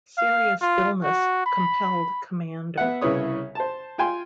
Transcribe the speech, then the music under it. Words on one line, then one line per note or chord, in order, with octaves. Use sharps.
Serious illness compelled Comdr.
F5
F4
F#4
B5
B3 E5 F#5
C2 C#3 E4 B4 C#5 D#6
C5 A5
F4 G5 G#5 C6